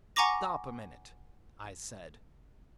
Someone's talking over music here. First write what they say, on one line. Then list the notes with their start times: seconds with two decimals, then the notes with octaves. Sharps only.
"Stop a minute," I said.
0.16 F#5 G#5 A#5 C#6 D6 A#6